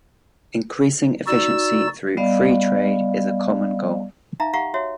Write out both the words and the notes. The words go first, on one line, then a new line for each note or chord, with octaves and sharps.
Increasing efficiency through "free trade" is a common goal.
D#4 F#4 D5 E6
G3 B3 D5 D#5 F5
D#4 E5 F5 A#5
G4 F5 F#5 A#5 C#6
F#4 C#5 E5